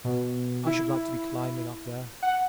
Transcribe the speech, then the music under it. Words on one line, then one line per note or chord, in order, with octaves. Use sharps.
I should like to be climbing up there!
B2
E4
F#5